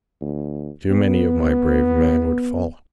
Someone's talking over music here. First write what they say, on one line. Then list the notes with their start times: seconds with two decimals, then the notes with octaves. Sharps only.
Too many of my brave men would fall.
0.21 D2
0.90 B3